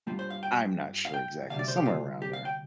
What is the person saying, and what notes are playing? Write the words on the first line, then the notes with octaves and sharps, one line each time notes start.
I'm not sure exactly, somewhere around there,
G2 G3 F4
C5
F5
G5
F5
G5
D2 C3 G3 F5
D5
C5
G4
F4
G4
F5
G5